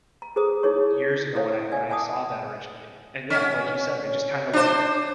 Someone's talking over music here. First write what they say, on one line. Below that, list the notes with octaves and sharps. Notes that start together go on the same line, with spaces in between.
years ago when I when I saw that originally. And yeah, like you said, they just kinda, like,
A#5
G#4 A4 C5 A#5 D#6
D#4 E4 G#4 C#5 C#6
E4 A4 C5 C#5 F5
D5 F5 G#5
E5 F#5 G#5 A5 D6 D#6
C#4
D4 C5